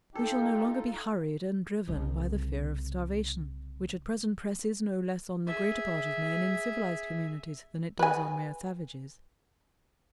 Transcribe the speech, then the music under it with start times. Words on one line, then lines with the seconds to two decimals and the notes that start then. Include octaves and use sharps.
We shall no longer be hurried and driven by the fear of starvation, which at present presses no less on the greater part of men in civilized communities than it does on mere savages.
0.15 D#4 F4 G4 A4
1.88 C2 C#3
5.47 G#4 E5
7.99 B4 G#5